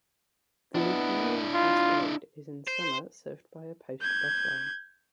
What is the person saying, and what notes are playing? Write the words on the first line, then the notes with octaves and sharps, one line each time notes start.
The Lukmanier pass road is in summer served by a post bus line.
B3 D4 E4
F4
C5
G6 G#6